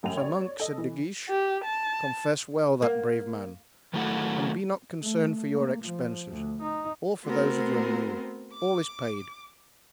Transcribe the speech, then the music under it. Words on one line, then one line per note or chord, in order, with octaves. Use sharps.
"Sir monk," said De Guiche, "confess well that brave man; and be not concerned for your expenses or for those of your mule; all is paid."
A1 F#2 G5 F7
C#5 D5
A4 D#5
E3
G4
A5
A#3
D#3 F#3 A3 E4 A4 F#5
A3
A#3
F3
D2
D#4
A3 B3 C4 F#4 A#4 C5
D6